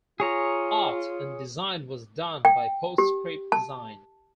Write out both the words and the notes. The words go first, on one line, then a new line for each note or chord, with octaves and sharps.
Art and design was done by PostScript Design.
F4 G#4 C#5 A#5
G5
G4
A5